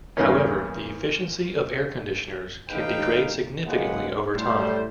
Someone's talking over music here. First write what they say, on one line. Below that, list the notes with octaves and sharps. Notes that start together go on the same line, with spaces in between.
However, the efficiency of air conditioners can degrade significantly over time.
E2 G2 A#2 C#3 A#3 C#4
A1 D#4 G4 B4 F5 G5
F#1 G#3 A#3 B4 F#5
A2 G3 C5